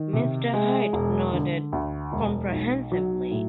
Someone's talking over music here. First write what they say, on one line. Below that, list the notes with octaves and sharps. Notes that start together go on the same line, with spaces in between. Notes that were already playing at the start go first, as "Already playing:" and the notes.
Mr. Haight nodded comprehensively.
Already playing: D#3
C3
G#3
E1
D3
D2
E1
B1
F#3
A2